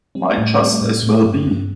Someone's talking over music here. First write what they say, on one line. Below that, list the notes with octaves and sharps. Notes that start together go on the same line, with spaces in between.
Might just as well be.
G3 C4
A2 A3
G3 C4
A3
A2 C4
A2
G2
G2